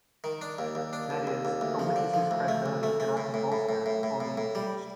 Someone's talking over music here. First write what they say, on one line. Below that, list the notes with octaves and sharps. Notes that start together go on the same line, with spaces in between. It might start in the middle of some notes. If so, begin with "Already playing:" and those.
That is, a witness's credibility cannot be bolstered, only impeached.
D#3
D4
D#2
D#2
D4
D#2
D#2
D#2
D2
F3
D3
F3
D2
A3
D2
A3
A3
A2
A2
A2
A2
A2
A2
A2
A2
G3